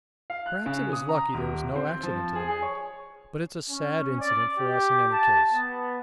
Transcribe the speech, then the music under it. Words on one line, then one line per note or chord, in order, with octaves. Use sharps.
Perhaps it was lucky there was no accident to the men, but it's a sad incident for us in any case.
F5
F#6
C#3
D#6
A#5
D#1
C4
F3
G#4
G#4
C#5
C#4
D5
G4
A5
B3